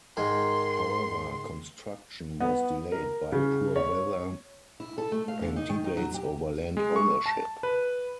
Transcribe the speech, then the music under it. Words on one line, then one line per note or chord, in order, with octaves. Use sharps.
However, construction was delayed by poor weather and debates over land ownership.
G#2 D#3 A#4 D#5 G#5 C6
B3
A#4
C#3
C#5
E4
A4
A3
F5
D3
D#4
D#3
D#4
F#3
G4
G#3
C#6
A5
B4